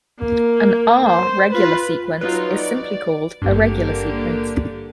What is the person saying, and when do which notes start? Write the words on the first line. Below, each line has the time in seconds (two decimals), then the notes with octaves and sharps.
An "R"-regular sequence is called simply a regular sequence.
0.20 A#3
1.07 C5
1.52 F4 B4
2.21 F#3 D#4 F4 B4
2.56 D5
3.42 G#1 G2 D3 A#3 G4